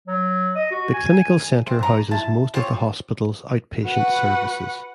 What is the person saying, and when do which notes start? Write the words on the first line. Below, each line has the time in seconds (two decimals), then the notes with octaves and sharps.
The Clinical Center houses most of the hospital's outpatient services.
0.08 F#3
0.55 D#5
0.71 F#4
0.93 G#5
1.67 C3 C4
1.79 D4 A#5
2.11 E4 A5
2.54 C4 F4 G4 C#5
3.84 F#4 B4 F#5